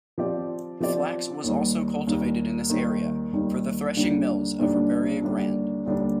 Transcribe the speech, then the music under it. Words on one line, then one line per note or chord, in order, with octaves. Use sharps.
Flax was also cultivated in this area, for the threshing mills of Riberia Grande.
F3 C4 G4 D5
F3 C4 G4 D5
D#2 D#3 G3
D#2 D#3 G3
D#2 D#3 G3
D#2 D#3 G3
D#2 D3 G3 D4
D#2 D3 G3 D4
D#2 D3 G3 D4
D#2 D3 G3 D4